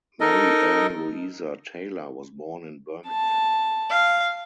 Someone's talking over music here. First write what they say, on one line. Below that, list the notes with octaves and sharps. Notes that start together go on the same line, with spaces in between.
Mary Ann Louisa Taylor was born in Birmingham.
D#4 A4 A#4 D#5
A5
F5